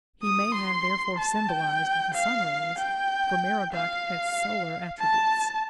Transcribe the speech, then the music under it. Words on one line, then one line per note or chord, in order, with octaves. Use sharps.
He may have therefore symbolized the sun rays, for Merodach had solar attributes.
D#6
C6
A5
G5
F5
G5
F5
A5